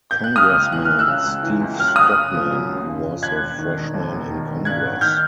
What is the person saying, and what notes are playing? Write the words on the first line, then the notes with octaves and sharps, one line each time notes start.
Congressman Steve Stockman, who was a Freshman in congress.
G6
F#6
C#3 D#6 F6
C#2
E3 F#6
C#2 F6
E6 F#6
C#3
C#2
E3
C#2
F#2 F6
F#6
F#1 D#6 F6
C#3
F3
F#2
F#1
C#3
F3
D#2 F#6 G#6
E1
D#3
E1
D#2
E1
D#3
E1
G2 F#6 G#6
A1
D#3 F6 G6